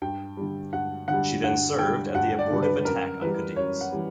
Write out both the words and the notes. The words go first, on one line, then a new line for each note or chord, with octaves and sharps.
She then served at the abortive attack on Cadiz.
G2 G5
D3 G3
G2 F#5
D3 G3 F#5
G2 F#5
D3 G3 G5
G2 F#5
D5
D3 G3
B4
F#2 A#4
E3 G3 B4
F#2 C#5
F#5
E3 G3